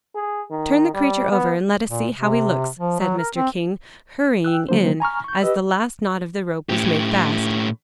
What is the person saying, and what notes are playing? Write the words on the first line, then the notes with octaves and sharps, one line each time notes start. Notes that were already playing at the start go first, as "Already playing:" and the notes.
"Turn the creature over and let us see how he looks," said Mr. King, hurrying in as the last knot of the rope was made fast.
G#4
D#3
G3
B3
A#2
C3
F3
F#3
A#4
C4
G5 E6 F#6
D3 F#3 A#3 D4 C5
G#5 A#5 C#6 F6
C#6 G6
G4 B4 D#5 E6
A2 G4